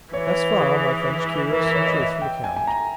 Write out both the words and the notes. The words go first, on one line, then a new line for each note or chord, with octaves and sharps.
Thus far my friend's curious and truthful account.
E3 C#5
G#4
E3 A#4
B4
C#5
D#5
E5
G5
G#5
G#5
A#5